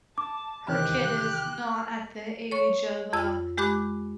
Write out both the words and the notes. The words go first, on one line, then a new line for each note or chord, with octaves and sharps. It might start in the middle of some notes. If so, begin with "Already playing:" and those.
her kid is not at the age of, uh,
A5 D6
E2 C3 D#3 G4 F#6
C#5 C#6
F2 E6
G#3 G4 B5 D6 F#6